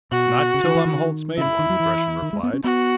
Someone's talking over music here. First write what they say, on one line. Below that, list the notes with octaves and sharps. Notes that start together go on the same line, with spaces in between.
"Not till Umholtz made one," Gresham replied.
B2 F#4
C#3
D#3
E3
D#3
C#3 E4
D#3
F#3
E3
D#3
G#3
B3
C#4
B3 F#4